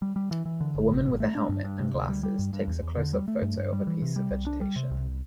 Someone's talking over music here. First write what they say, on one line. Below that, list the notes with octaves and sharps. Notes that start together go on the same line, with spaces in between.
A woman with a helmet and glasses takes a closeup photo of a piece of vegetation.
G3
G3
E3
E3
D3
G1
A1
A1
A3
D4
G2
G2
C3
D2
G3
G3
G2
G2
E2
E2
D3
G3
A3
G2
G2
G3
E3
C3
G3
C2
D4
G3
C3
C2